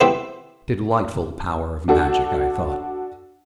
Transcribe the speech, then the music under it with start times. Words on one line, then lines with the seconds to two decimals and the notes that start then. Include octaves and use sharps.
"Delightful power of magic!" I thought.
0.01 B3 C4 E4 G4 B4 C5
1.88 D4 F#4 A4